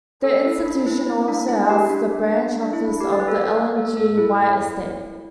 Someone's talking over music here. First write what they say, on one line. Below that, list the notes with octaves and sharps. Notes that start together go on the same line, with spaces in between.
The institution also houses a branch office of the Ellen G. White Estate.
A4
E4
D4
E4
E4
D4
E4
G4
D4
D4
E4
G4
D5
B4
A4
A4
A4
E4